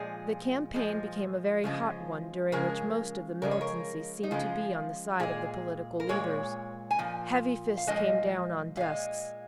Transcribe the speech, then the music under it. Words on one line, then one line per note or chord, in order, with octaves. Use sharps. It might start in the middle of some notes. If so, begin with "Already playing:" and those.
The campaign became a very hot one during which most of the militancy seemed to be on the side of the political leaders. Heavy fists came down on desks.
Already playing: A#2 F3 G#3 G#4
A#2 F3 G#3
C#3 F3 G#3
C#3 F3 G#3 A#4
C#3 F3 G#3 A#4
C#5
A#4
D#4
C#3 F3 G#3 F4
A#2 G#3 G#4
A#4
A#2 G#3 C#5
G#5
A#2 F3
F5
A#2 F3 G#3 D#5
A#2 G#3 F5